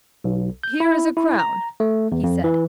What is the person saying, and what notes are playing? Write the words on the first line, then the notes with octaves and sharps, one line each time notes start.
"Here is a crown," he said.
B1
G6
E4
E4
A#5
A3
E2
F2
E3